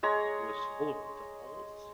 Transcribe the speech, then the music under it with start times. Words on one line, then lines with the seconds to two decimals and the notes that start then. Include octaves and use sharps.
was full of dolls.
0.03 G#3 C#5 A#5